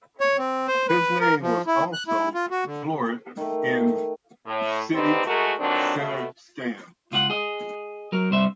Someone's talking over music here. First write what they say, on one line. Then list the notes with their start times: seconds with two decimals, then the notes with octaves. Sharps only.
His name was also floored in Ludhiana City Centre scam.
0.21 C#5
0.38 C4
0.68 C5
0.89 B4
1.21 A#4
1.42 F3
1.67 E4
1.93 F#6
2.08 E4
2.35 F4
2.51 F#4
2.65 D3
3.37 D#3 A3
4.46 A2
4.94 G#2 D3 C4 D#4 G4 B4
5.26 G#3 A3 F#4 G#4 A#4
5.59 A#2 D3 D#3 F#3 C4 D4
5.97 B2 A3
7.12 C#2 F4 F#4 F#5
7.30 G#4 D#5
8.12 F#3 A#4
8.30 C2 G2 C5 E5